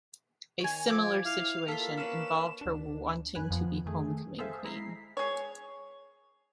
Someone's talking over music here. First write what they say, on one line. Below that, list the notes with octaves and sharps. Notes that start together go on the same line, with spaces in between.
A similar situation involved her wanting to be Homecoming Queen.
D#3 C#5 G#5
F3 D6 G#6
E4 F5
A#3 F4 A4 B6
C#4 D4 B4 E7
D2 D4
F#2 B4 G#5 F#6
F2 F3 B3
D#3 A3 G#4
G#4 A4 C5 E5 F5
G#3 E4 A#5 B6 C7
G#4 C#5